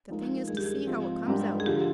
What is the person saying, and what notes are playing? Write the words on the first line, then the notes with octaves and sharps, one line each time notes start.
The thing is to see how it comes out.
F3 G#3 D#4 A#4
G2 D#3 G#3 G#4
G4
G#4
G#2 F3 C4
G#2 G3 D4 G4 A#4
G#4
D3 F3 G4